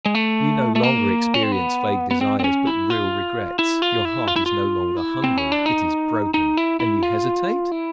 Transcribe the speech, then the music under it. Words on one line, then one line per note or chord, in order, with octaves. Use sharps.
You no longer experience vague desires, but real regrets; your heart is no longer hungry, it is broken! And you hesitate?
G#3
A3
A3
A#3
C#4
C4
B3
B3
C4
C4
C#4
E4
F4
E4
F4
E4
F4
E4
F4
E4
C4
C#4
D4
D#4
D#4
E4
E4
F4
E4